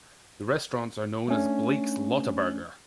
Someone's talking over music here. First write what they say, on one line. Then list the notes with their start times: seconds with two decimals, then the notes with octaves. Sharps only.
The restaurants are known as Blake's Lotaburger.
1.28 A3 C#4 D4